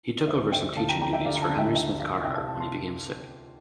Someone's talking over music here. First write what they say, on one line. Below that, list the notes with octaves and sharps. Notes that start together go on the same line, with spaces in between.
He took over some teaching duties for Henry Smith Carhart when he became sick.
D5
D2 C5 E5
D3 E5 G5
D2 F5 A5
G5 A#5
F3 G5 A#5
E5 G5
D2 D5 F5
A#5
F5 A5
D3
E5 G5
D2 E5 G5
F3 D5 F5
F5
C2 E5 G5
F5 A5
C3 F5 A5
A5 C6